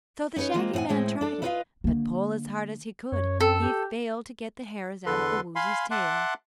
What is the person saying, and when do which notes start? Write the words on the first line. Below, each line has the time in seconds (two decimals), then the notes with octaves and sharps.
So the Shaggy Man tried it, but pull as hard as he could he failed to get the hairs out of the Woozy's tail.
0.36 C#4 D#4 A#4 B4 C#5
0.54 G#3 A#3 C4 F4
0.73 A2 C4 C5 F#5 G#5
0.89 A2 G#3 C4 E4
1.21 D4 A4
1.42 E4 F4 B4 D5 D#5 F5
1.84 D3 A#3
3.12 F#2 C#5
3.40 C4 A4
3.61 G4
5.06 E2 D3 A4 B4 C6
5.56 F5 G#5 B5 C6
5.91 E5 F#5 A5 C6 D6 F#6